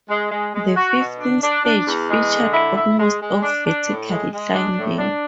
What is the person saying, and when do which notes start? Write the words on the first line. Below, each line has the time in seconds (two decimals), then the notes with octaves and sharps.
The fifteenth stage featured almost of vertical climbing.
0.09 G#3
0.32 G#3
0.53 G#3
0.76 F#4
0.98 B2
1.20 D4
1.42 D4
1.64 D4
1.87 E2
2.10 G#3
2.32 D3
2.53 E4
2.76 E4
2.98 G#3
3.21 G#3
3.42 D4
3.65 D4
3.87 A2
4.10 G#3
4.32 G#3
4.54 D4
4.76 A2
4.98 D4